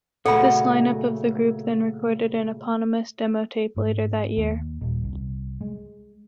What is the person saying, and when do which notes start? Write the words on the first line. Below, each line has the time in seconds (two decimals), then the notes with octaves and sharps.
This line-up of the group then recorded an eponymous demo tape later that year.
0.26 A#2 C#3 F#3 A3 A4 F#5 B5
3.76 G#2
4.37 D#2
4.81 D#1
5.04 C2
5.61 G#3